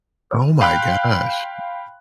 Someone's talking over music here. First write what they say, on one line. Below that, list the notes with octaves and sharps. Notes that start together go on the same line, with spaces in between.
Oh my gosh.
F5 G5 B5 C6 F#6